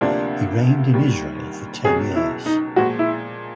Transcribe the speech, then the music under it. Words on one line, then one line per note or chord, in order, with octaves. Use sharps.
He reigned in Israel for ten years.
D2 C3 F3 A#3 D4
D#2 D#3 G3
C#2 B2 F#3 G#4
E4
D#4
A#2 F3 G#3 F#4
E4